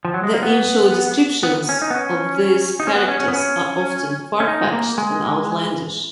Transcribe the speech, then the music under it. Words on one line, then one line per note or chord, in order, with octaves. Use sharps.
The in-show descriptions of these characters are often far-fetched and outlandish.
F3
F#3
G#3
A#3
B3
B3
C#4
D#4
B3
C#4
D#4
C#4
B3
C#4
C#4
B3
C#4
C#4
D#4
G#3
A#3
G#3